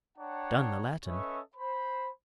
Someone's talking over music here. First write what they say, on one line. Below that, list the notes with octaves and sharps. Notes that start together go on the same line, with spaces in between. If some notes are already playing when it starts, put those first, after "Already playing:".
"Done the Latin!"
D4 C#5 F#5 G5 A5 A#5
C#4 A4 B4 D#5 E5 C#6
C5 B5